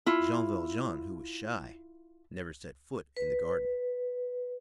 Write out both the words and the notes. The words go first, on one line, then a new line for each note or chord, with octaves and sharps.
Jean Valjean, who was shy, never set foot in the garden.
E4 F4
B4